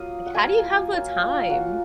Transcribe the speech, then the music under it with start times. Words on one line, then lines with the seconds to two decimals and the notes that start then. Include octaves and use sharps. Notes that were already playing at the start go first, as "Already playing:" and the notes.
Like, how do you have the time?
Already playing: F#3 A#3 F4 D#6
0.26 F#5
0.35 F#3 A#3 F4 G#5
0.93 F#3 A#3 F4
1.50 F#3 A#3 F4 F#5